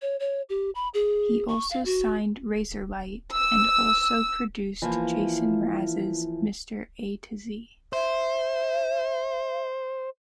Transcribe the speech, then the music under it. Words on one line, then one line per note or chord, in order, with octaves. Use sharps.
He also signed Razorlight, and also produced Jason Mraz's "Mr. A-Z".
C#5
C#5
G4
B5
G#4
C#6
F5
F#4
E6
E3 F3 A#3
C5 E5